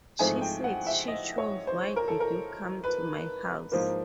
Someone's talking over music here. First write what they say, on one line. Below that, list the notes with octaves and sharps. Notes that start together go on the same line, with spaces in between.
She said she chose Why Did You Come to My House?
G#2 F3 A3 C4 G#5
G5
F#5
E5
D#5
C#5
C5
A#4
A4
A#4
B4
G#2 F3 A#3 C5